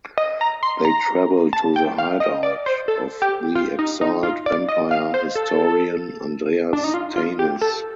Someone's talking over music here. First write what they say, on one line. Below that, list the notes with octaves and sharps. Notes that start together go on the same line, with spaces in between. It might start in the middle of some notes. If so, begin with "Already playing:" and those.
They travel to the hideout of the exiled vampire historian Andreas Tanis.
D#5
A#5
C6
A#5
A5
G5
F5
D#5
D5
C5
A4
G4
F4
D#4
D#4
F4
D5
D#5
F5
C5
A4
D4
D#4
F4
F4
G4
A4